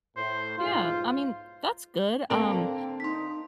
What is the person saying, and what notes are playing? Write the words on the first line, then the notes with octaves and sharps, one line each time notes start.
Yeah, I mean, that's good. Um,
A2 C5
B1 G#2 F4 C5
D3 A#3 C4 A4 G5 A5
D#4 C6 B6